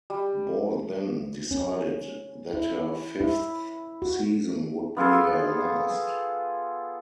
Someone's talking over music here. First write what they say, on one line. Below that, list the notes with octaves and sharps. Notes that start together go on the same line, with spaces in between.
Ball then decided that her fifth season would be her last.
G3
C#4
E4
E4
F#4
B3 F4 G#4 A4